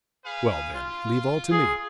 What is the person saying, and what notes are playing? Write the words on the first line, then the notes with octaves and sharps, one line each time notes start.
"Well then, leave all to me!"
G#4 B4 F5
F4
G#4